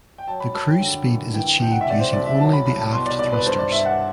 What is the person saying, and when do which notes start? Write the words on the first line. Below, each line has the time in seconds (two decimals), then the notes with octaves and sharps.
The cruise speed is achieved using only the aft thrusters.
0.18 G5
0.27 F#3 A5
0.40 B5
0.54 F#2 A5
0.67 G5
0.80 D3
1.07 F#2
1.34 E3 G5
1.59 C2 G5
1.71 F#5
1.81 E5
1.87 C3 D5
2.00 C5
2.13 C2 D5
2.26 E5
2.39 F#3 A5
2.53 B5
2.66 C2 B5
2.79 A5
2.92 B2 C6
3.06 D5
3.19 C2 D5
3.32 B4
3.45 G2 C5
3.59 D5
3.72 G2 E5
3.85 F#5